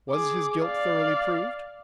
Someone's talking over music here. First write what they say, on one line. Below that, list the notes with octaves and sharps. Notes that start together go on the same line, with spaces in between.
Was his guilt thoroughly proved?
G#4 D6
D5 F5